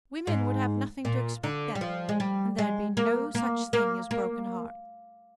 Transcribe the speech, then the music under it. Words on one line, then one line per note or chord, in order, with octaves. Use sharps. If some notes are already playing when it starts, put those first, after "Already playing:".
Women would have nothing to expect then, and there'd be no such thing as broken hearts.
G#2
A#2
D3
G3
F3
G#3
G3
G#3
A#3
A#3
A#3
A#3